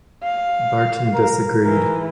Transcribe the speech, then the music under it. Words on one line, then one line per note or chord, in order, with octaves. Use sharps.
Barton disagreed.
F5
A#4
E3 A#4